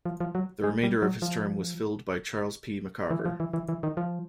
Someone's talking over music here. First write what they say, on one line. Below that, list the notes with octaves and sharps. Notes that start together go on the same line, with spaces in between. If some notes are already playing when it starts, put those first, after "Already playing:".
The remainder of his term was filled by Charles P. McCarver.
F3
F3
F#3
G#3
G3
F#3
F3
E3
F3
E3
E3
E3
D#3
F3